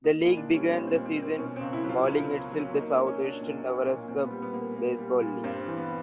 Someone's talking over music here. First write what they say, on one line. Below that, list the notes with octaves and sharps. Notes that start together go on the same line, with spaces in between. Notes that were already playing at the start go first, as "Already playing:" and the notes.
The league began the season calling itself the Southwestern Nebraska Baseball League.
A#3 D#4
E4
A#2
D4
G3
C#4
A#2 C4
C4
A#2
C4
A#3
C4
B2 C#4
C#2 C4
E4
F#3
F4
C#2
C#2
F#3
A#3 D#4
C#4
A#3
C#4
A#3
D4
A#2
A#2
A#2
A#2 C4
B3
G3
B3
A#3
A#3
G3
A#2
G2 C4
C4
E3
B3